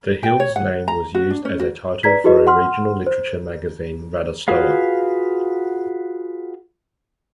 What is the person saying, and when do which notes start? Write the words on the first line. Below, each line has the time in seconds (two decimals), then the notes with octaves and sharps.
The hill's name was used as a title for a regional literature magazine, "Radostowa".
0.23 G5
0.40 C#5
0.56 F#5
0.88 A#5
1.15 F#4
1.30 D4
1.45 C#4
1.60 F#4
2.03 B4 D5 A#5 G#6 B6
2.24 E4 F#4 G#4 B4 D#5
2.47 F#5 C6 F6
3.07 C5
4.48 F4 F#4 G#4 B4 F5